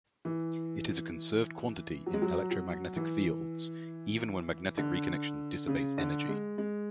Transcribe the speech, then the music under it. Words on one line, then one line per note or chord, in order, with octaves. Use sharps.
It is a conserved quantity in electromagnetic fields, even when magnetic reconnection dissipates energy.
E3
F#3
G#3
F#3
F#3
E3
D3
C#3
D3
G#3
G#3